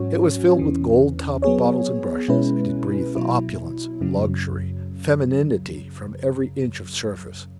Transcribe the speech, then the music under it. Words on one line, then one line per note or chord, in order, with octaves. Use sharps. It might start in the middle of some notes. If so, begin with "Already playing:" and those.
It was filled with gold-topped bottles and brushes, and it breathed opulence, luxury, femininity from every inch of surface.
Already playing: G#2 F#3 C#4 F#4 C#5
E2 E3 C#4
F#3 B3 G#4 C#5
B2 G#3 C#4 E4 B4
B2 F#3 E4
F#2 C#3 F#3